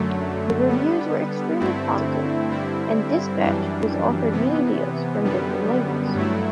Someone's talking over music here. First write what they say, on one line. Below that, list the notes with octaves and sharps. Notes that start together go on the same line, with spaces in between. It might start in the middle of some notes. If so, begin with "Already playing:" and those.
The reviews were extremely positive and Dispatched was offered many deals from different labels.
Already playing: F#2 D3 F#3 A3
D3 G3 B3
G2 D3 A3 C4 E4
G2 D3 G3 C4 E4
F#2 E3 G3 D4
C3 E3 B3
F#2 D3 G3 B3
G2 F#3 A3 E4